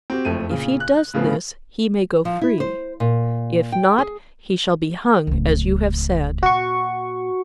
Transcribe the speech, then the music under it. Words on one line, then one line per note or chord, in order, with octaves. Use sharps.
If he does this he may go free; if not he shall be hung as you have said.'
C4 F#4 G4
F#1 F2 A3 D#7
A#2 C#3
F#6
A2 C#3 F3 B3 G#4
F3
E4
C5
A#2
G5
G#4
D1 C#2
A#2 F#4 C#6